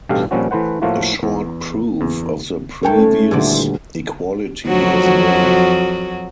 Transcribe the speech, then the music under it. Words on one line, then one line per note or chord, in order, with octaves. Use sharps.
A short proof of the previous equality is known.
A1 G2 B2 G4 A4 F5
A#2 F3 G3 C4 C#4 F#4
E3 A3 B4 C5 F#5
A2 F3 A3 A#3 F4 F#4
E2
E2
D2 A2 A4 A#4 G5
C#4
D#1 D2 E3 F3 D5
F2 F#3 F#4